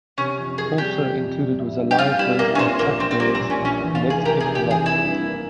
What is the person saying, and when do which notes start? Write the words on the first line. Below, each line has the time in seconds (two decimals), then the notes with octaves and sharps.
Also included was a live version of Chuck Berry's "Let It Rock".
0.18 C3 C#4
0.38 F2
0.58 F2 G#4
0.78 G3 G4
0.98 C3
1.18 F2
1.39 G3
1.59 E4
1.79 G2
1.91 G4
1.99 C4 F4
2.18 G3 E4
2.39 A#3 E4
2.55 C#4
2.59 A#2 C4
2.79 A#1 A#3
2.99 A#1 C4
3.11 C4
3.20 G3 A#3
3.35 C4
3.39 A#2
3.50 C#4
3.60 A#1
3.65 C#4
3.80 E2
3.95 F4
4.00 F1
4.10 G#4
4.20 F1
4.25 G4 A#4
4.40 C3 G#4
4.55 G4
4.60 E2
4.71 G#4
4.81 F1
4.86 E4
5.01 G2
5.21 A#3